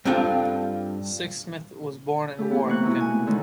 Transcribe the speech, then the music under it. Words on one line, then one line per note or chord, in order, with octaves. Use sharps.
Sixsmith was born in Warrington.
G2 C4 D4 F4 A4 G5
A3 G4
E3 B3
C3 A#3 C#6 F#6
B2 G#3 A3 E4
G#5
D3 D#3 G#3 A3 C#4